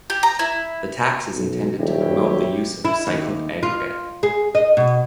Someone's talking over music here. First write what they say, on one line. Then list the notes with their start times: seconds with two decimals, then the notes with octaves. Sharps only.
The tax is intended to promote the use of recycled aggregate.
0.10 G4
0.23 A#5
0.39 E4
1.34 B1
1.78 D#1 F#3 E4 G4
2.85 E4
3.07 D#2
3.63 F4
4.23 G#4
4.55 D#5
4.77 B2